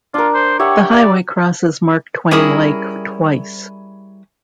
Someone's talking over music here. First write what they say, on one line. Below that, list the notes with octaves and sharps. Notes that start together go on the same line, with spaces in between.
The highway crosses Mark Twain Lake twice.
D4 F4 A#4
C5
G4 C#5 E5 F#5
D5 E5
G3 C#4 E4 G#4 A#4